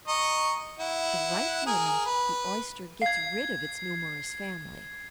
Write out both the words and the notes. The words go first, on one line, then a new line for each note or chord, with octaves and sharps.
At the right moment, the Oyster gets rid of its numerous family.
D#5 A#5 C#6
E4 F#5
G#4 A#4 G#5
B4
F5 G#6 C7